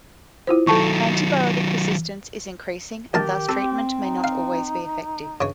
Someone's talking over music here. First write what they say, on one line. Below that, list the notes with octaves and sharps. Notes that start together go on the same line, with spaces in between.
Antibiotic resistance is increasing and thus treatment may not always be effective.
E4 F4 C5
D#3 F#3 A4 A5 C#6
A#1 D#3 G4 A#4 A5
C4 A4
D#4
F5
G2 C#3 C#5